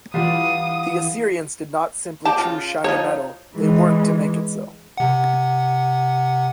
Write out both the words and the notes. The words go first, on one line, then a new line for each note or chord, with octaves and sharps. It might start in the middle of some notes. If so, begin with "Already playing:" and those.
The Assyrians did not simply choose shiny metal; they worked to make it so.
E3 G3 D4 F4 F5 F#5 D#6 C7
G4 A5
C#3 F4
F3 D#4 C#5
E3 G#3
C3 F#5